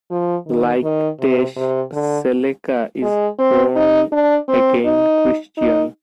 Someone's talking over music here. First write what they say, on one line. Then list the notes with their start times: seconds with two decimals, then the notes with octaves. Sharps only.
Like Tesh, Sellecca is a born again Christian.
0.10 F3
0.46 D#3
0.83 D#3
1.20 C3
1.56 C3
1.93 D3
3.02 G#3
3.39 C4
3.76 D#4
4.12 D4
4.48 C4
4.85 D#4
5.57 D#4